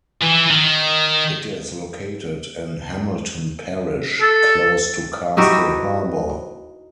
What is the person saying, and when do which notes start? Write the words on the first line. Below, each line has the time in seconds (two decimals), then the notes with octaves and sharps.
It is located in Hamilton Parish, close to Castle Harbour.
0.22 E3
0.51 D#3
4.21 A4
5.37 D#4 E4 F#4 G4